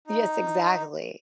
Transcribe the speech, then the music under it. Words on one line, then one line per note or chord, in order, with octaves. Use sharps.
Yes, exactly.
D#4